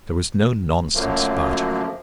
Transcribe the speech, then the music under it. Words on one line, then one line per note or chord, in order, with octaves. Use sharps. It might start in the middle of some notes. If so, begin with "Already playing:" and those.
There was no nonsense about her.
F#2 D3 F3 F#3 A3 A#3